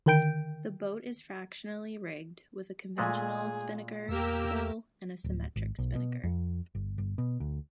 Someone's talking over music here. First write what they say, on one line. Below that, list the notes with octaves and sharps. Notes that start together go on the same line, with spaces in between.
The boat is fractionally rigged, with a conventional spinnaker pole and symmetric spinnaker.
D3 D#3 A#4 G5 G6 D7
A#2 G#3 A3 G#4
E2 A#3 G4 A#4 E6
D1
G#1
B1
B2
F2
G1
G1
B2
D2